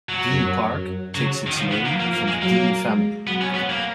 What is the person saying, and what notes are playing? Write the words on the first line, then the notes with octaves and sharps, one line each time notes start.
Dean Park takes its name from the Dean family.
F#3
F#2
F#2
C#3 F#3
D#3
D#3 F3
B3
A#3
F3 A#3
A#3
G#3
F#3 A#3
G#3
F#3 B3
C#4
B3
A#3